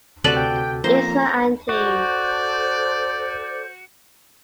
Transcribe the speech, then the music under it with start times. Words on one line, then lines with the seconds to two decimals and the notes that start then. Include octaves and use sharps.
It's my auntie's.
0.24 D2 C3 F#4 A4 B4 D5 F#6
0.36 G5
0.84 F3 A#3 C4 C5 A#5
1.69 F#4 A4 C5 D5 G6